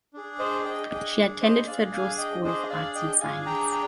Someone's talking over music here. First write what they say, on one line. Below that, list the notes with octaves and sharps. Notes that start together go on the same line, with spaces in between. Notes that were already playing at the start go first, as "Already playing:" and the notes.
She attended Federal School of Arts and Science.
D4 G#4
C5 D#5
D#5 G5
D4 G#4 D#5 G5
C5 D#5
D4 G#4 D5 F5
F5 G#5
D#5 G5
D4 G#4 C5 D#5
D5 F5
D#5 G5
D4 G#4 F5 G#5
G5 A#5
G5 A#5